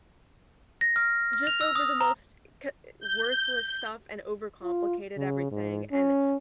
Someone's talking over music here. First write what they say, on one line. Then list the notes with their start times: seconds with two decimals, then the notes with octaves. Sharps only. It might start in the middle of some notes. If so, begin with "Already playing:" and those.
just over the most co worthless stuff and overcomplicated everything and
0.81 A#6
0.96 F6
1.33 F6
1.47 F7
1.61 E6
1.75 D#6
2.01 A#5
3.00 G6
4.63 F4
5.17 C#3
5.52 G#2
5.92 C#4